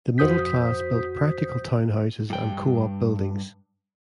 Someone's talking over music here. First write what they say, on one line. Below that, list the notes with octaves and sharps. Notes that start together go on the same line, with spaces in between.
The middle class built practical townhouses and coop buildings.
F2 F#4 C5 D#6 G6 B6
G2 G5